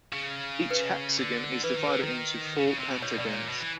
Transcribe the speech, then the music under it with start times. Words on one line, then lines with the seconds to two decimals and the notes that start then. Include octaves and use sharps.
Each hexagon is divided into four pentagons.
0.13 C#3
0.71 B4
1.18 D3
1.64 E3 B4
1.77 D#3
1.87 D3 B4
2.03 D#3
2.56 C#3
2.67 C#3
2.79 C3
2.90 B2
3.02 B2 C#5
3.18 B2 D5
3.26 A#2
3.33 C#5
3.49 B2
3.60 E3